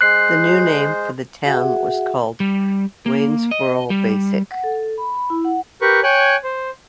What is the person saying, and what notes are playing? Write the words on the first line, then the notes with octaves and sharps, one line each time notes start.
The new name for the town was called Waynesboro-Basic.
G#3 C5 F#6 C7
F#4 G#4 E5 F#5
G3
A#3
D#5
G3
F#5
A4
B5
B5
E4
F#5
G4 A#4 B4 C#6
C#5 G5 G#5 F#6
C5